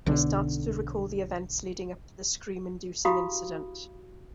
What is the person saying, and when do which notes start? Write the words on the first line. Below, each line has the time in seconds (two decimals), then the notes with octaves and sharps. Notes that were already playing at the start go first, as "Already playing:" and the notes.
He starts to recall the events leading up to the scream-inducing incident.
0.06 B1 D3
3.05 E4 F#4 G4 F5 B5 D#6